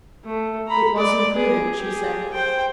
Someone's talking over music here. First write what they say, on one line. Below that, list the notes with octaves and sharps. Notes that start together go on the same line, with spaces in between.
"It was imprudent," she said.
A3
A#5 B5
D5
G#4
G4 G#4
C5 G5